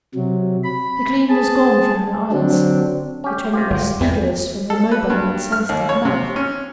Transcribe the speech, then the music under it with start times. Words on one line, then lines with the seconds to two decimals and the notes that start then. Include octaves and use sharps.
The gleam was gone from her eyes; the tremulous eagerness from her mobile and sensitive mouth.
0.15 C3 F#3
0.64 B5
1.29 G#4 A5
2.32 D3 F#3 C4 D4
3.24 C#4 G4
3.53 C3 F4 G4
3.70 G1 G#3
4.00 E2 C3 E3 G3
4.70 A4
4.91 B4
5.10 G2
5.52 F6
5.69 D#2
5.89 C#5
6.05 C3
6.36 C#4